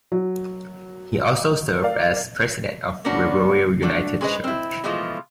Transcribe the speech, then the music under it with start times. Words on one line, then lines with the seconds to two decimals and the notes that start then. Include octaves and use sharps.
He also served as president of Riverview United Church.
0.12 F#3
1.82 A#4 D5 F5
3.04 C#3 A#3 B3 C#4 D4 F#4
3.82 A3 D4 F#4 A4
4.21 G#3 C#4 G#4 B4 C5 D#5
4.44 C4 E4
4.84 B2 E3 F3 G#3 A3 F4